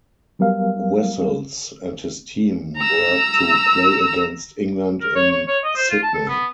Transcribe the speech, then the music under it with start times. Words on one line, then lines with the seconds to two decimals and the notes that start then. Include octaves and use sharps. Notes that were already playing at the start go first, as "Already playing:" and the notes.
Wessels and his team were to play against England in Sydney.
0.39 F#3 G3 B3 A#4 F5
2.78 A#5 E6
5.01 A#4
5.15 C#5
5.31 C#5
5.47 C#5
5.64 D#5
5.76 C5
5.90 F4
6.03 A5
6.14 A4
6.28 B3